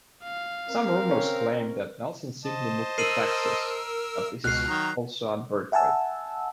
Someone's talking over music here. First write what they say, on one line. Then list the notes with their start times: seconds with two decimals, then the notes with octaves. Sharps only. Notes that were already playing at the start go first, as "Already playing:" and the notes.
Some rumors claim that Nelson simply moved to Texas, but this is also unverified.
0.24 F5
0.70 C4 A#4
1.11 C#4
2.45 C5 D#5 A5
2.98 A#4 E6 C7 D#7 F#7
4.44 C#2 B2 F6 F#6 C7
4.68 D#3 F#3 A#5
5.72 E5 F#5 G#5 A5 E6